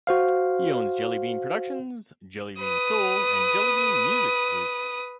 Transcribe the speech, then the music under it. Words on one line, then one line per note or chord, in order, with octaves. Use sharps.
He owns Jellybean Productions, Jellybean Soul and Jellybean Music Group.
F#4 C5 F5
B4 D#6